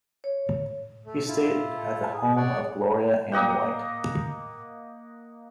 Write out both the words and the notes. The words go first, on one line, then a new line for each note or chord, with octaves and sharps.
He stayed at the home of Gloria Ann White.
C#5
A3
E4 F4
A4
G#4
C#5 D5 F#5
A#3 D#5 F#5 G5